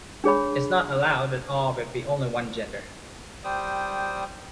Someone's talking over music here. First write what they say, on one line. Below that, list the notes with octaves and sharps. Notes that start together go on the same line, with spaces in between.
It’s not allowed that all of it be only one gender.
D4 G#4 C#5 B5
G3 C5 G5 D#6